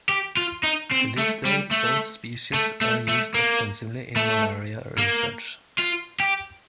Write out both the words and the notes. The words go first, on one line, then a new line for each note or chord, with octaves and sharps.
To this day both species are used extensively in malaria research.
G4
F4
D#4
C4
A3
G3
A3
A3
A3
A3
A#3
A3
A#3
F4
G4